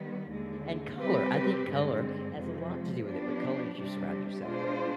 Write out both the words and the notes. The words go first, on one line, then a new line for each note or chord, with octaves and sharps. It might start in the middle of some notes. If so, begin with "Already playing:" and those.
and color I think color has a lot to do with it, what colors you surround yourself with.
Already playing: D#3 G3 B3
D#2 D3 G#3
C3 G3 C4 G4 B4
G2 D3 G#3 C4
F2 C3 F3 G#3
F3 B3 D4 G4
C3 G3 D4 G4
B2 G#3 D4 F4 C5